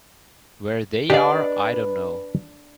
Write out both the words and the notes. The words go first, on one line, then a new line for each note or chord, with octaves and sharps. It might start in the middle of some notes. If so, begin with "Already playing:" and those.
Where they are I don't know.
D4 G4 B4 D5 D#5 F5